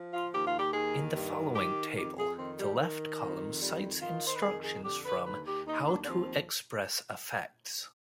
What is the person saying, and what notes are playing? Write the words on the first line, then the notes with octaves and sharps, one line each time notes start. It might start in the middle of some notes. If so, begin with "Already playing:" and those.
In the following table, the left column cites instructions from how to express affects.
Already playing: F3
F4
D#2 G4
F4
G4
D#3 G#4
G2
D#3 G4
F2 G4
G#4
D#3 C4
G3
D#3
F2
D#3 G3
D#3 F4
C5
B4
F2 G#4
G#4
D3 G4
B4
D#2 B4
G4
D#2 D#4
D4
D4
F3 C4